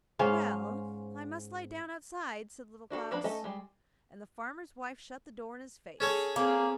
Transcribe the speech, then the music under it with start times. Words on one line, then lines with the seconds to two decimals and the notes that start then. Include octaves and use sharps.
'Well, I must lie down outside,' said Little Klaus; and the farmer's wife shut the door in his face.
0.19 G#2 C#4 C5 F5
2.90 D4 F#4 G#4 A4
3.11 F3 A#3 D4 B4 B5
3.24 A3 C#4 D#4 A4 D#5
3.44 G3 G#3
6.00 C#4 G#4 A4 C#5
6.36 A#3 C4 G#4